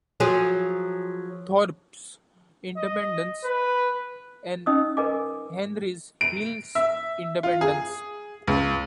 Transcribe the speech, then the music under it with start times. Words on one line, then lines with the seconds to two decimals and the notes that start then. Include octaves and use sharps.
Thorp's Independence and Henry Hill's Independence.
0.20 F3 F#3 G#4
2.77 D#5
3.45 B4
4.66 C#4 D#4 D#5 D#6 E6
4.97 A#4 B4 D#5 G#5 D6
6.21 D7
6.75 E5
7.43 F4
7.61 G#4
8.47 C#2